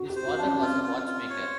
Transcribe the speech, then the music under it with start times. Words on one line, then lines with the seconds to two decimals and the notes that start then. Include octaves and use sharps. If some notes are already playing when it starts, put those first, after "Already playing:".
His father was a watchmaker.
Already playing: F#4
0.10 G4
0.16 C5
0.27 F#4
0.39 D4
0.44 C#4
0.61 C4 F4
0.84 F4
1.07 F4
1.30 C#5